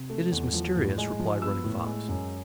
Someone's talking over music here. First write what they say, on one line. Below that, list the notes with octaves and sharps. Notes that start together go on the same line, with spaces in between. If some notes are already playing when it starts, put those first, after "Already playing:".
"It is mysterious," replied Running Fox.
Already playing: C3
A3
E2
F3
A2
G#3
F3
B3 E6
A2
G#3
F#2